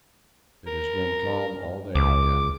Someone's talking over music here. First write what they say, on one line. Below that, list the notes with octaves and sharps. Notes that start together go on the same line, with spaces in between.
It has been calm all day again.
A#4
C#2 D6